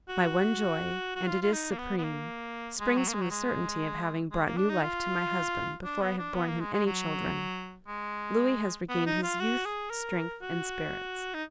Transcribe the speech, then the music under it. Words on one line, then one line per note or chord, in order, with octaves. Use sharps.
My one joy, and it is supreme, springs from the certainty of having brought new life to my husband before I have borne him any children. Louis has regained his youth, strength, and spirits.
F#4
F#4
F4
F4
D#4
A#3
B3
B3
A#3
G#3
F#3
A#3
G#3
F#3
G#3
G#3
A#3
D4
D#4
F4
D4
B3
D4
B3
A#3
G#3
G#3
F#3
G#3
B3
D#4
F4
F#4
G#4
A#4
F#4
D#4